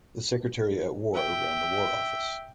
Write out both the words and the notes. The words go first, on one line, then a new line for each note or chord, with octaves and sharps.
The Secretary at War ran the War Office.
E5 G5